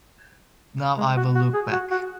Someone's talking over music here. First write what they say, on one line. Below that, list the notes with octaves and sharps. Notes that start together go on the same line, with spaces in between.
Now I’ll look back.
G#3
F#4
F#4
G#4
F#4
F#4